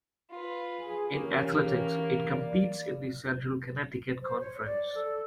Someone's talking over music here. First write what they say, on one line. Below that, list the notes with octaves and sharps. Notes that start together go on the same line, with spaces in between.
In athletics, it competes in the Central Connecticut Conference.
F4 B4
G#4 G#5
E3 A#3 C#4 G4
D5
C5
C#5
D5
A4